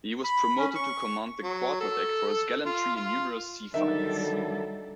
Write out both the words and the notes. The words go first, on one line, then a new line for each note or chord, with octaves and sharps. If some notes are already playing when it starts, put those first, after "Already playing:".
He was promoted to command the quarterdeck for his gallantry in numerous sea fights.
B5
C#4
C#6
F#3
A4
F4
F4
D3 D#3 F#3 G3 D#4 A4 A#4 E5